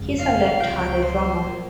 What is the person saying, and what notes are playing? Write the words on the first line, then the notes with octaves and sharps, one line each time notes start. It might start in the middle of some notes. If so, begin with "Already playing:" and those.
He is a left-handed drummer.
Already playing: G1 F2 C#3 G#3
F5
C#2 C3 F3 G5
C5
A#2 F3 A#3